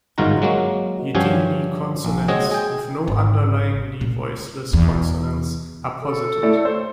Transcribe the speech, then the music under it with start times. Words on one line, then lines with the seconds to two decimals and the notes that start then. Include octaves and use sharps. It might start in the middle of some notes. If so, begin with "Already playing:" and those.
Yidiny consonants, with no underlyingly voiceless consonants, are posited.
0.18 G1 G#2 D#3 F4 F#4 A#5
0.42 F#3 G#3 A#3 F#4
1.15 G2 F3 C#4 F#4 G4 G#5
2.05 A#1
2.28 G#3 C4 F#4 C#5 D#5
2.51 G#4 G5
3.08 G#1
4.01 A#2
4.73 E2
6.02 A4
6.43 A3 E4 D5
6.65 C5